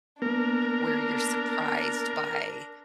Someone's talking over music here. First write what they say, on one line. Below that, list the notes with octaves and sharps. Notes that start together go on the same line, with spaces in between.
where you're surprised by,
A#3 B3 D4 A#4